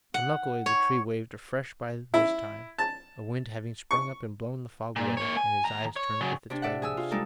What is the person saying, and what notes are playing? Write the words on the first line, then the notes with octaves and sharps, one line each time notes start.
Unluckily the tree waved afresh by this time, a wind having sprung up and blown the fog away, and his eyes turned with its wavings.
F#5
C#5
E4
A5
C#6
A#2
A#3 C#5
G#5
D#2 A#5
C#5
C#3 F#3
C3 D4
D5 E5 F#5
G#4 G#5 E6
F4
G3 G#3 D#4 A4